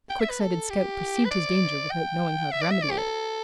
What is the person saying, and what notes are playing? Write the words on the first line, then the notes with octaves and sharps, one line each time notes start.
The quick-sighted scout perceived his danger without knowing how to remedy it.
G5
E5
B4
A4
G4
B4
D5
G5
E5
D5
E5
D5
G4
A4